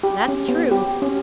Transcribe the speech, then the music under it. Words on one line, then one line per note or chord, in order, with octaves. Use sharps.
"That's true."
G4
C#4
B3
G4
C#4